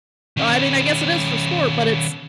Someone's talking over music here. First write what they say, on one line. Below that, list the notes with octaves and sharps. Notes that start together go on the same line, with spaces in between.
I mean, I guess it is for sport, but it's
D#3 C#4